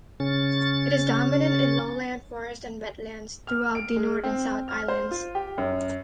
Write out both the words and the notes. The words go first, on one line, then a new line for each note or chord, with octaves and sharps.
It is dominant in lowland forest and wetlands throughout the North and South Islands.
C#3 C#4 A6
F6
D7
G#3
C4
F6
C5
F4
G4
F#2